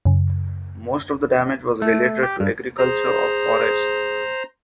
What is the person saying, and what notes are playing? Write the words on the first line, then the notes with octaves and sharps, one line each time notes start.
Most of the damage was related to agriculture or forests.
F#2 C#3
A3
G4
G2
G#4 C5 A#5